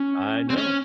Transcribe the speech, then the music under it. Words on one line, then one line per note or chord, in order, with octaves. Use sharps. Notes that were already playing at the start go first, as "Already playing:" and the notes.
I know.
Already playing: C#4
C4
C#4